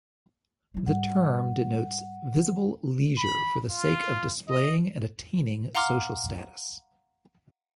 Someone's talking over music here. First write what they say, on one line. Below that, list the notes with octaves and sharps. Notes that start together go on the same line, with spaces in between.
The term denotes visible leisure for the sake of displaying and attaining social status.
F#3 E4
G#2 G3 F#5
D3 E3
B5
F4
D#5
F5 F#5 A#5 C6 D6 F6